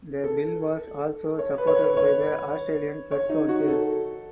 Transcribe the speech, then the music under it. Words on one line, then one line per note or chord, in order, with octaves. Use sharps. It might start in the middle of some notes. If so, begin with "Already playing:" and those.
The bill was also supported by the Australian Press Council.
A4
C#5
B4
C#5
B4
C#5
C#5
D#4
F#4
A4